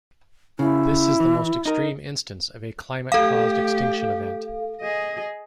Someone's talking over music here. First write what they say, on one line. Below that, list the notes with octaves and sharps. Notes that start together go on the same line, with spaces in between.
This is the most extreme instance of a climate-caused extinction event.
C#3 E4
E3
D#4 A#4
A3 G4 A4 F5
G#4 D#5